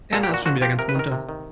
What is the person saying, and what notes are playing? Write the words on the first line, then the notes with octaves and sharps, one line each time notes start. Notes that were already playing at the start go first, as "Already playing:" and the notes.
Erna ist schon wieder ganz munter.
A#2 A4
G4
A#2 F#4
F3 F#4
F3 G4
C3 A#4
B4
D#3 A#4
C3
D#3